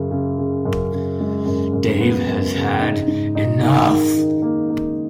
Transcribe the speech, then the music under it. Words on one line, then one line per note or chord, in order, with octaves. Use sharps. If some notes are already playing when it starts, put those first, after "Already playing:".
Dave has had enough.
Already playing: F#2 C#3
C#3
C#3
F#2
C#3
G#3
F#2
F#2
B3
F#2
C#3
D#4
G#2
D#4
D#3
D#3
D#3
A#3
A#3